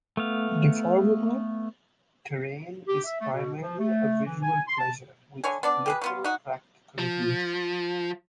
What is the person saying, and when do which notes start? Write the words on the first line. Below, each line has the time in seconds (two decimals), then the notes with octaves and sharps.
Deformable terrain is primarily a visual pleasure, with little practical use.
0.17 A3 B3 F5
2.87 G4
3.04 E5
3.20 A3
3.33 B2
3.60 F3
3.79 A3
4.25 E3
4.43 G#5
4.67 C6
4.78 A5
5.44 D3 C#5 G#5
5.63 B3 D4 D5
5.86 G4 G#4 B4
6.02 F#3 B3 F4
6.24 D#4 F#4
6.98 F3